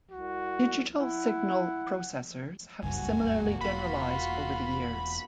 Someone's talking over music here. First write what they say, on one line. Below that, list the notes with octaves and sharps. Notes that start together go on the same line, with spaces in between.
Digital signal processors have similarly generalised over the years.
C2 F#4
E4 F#5
F#1 C#2 G2 A#3 F#4 G#5
E1 F4 B5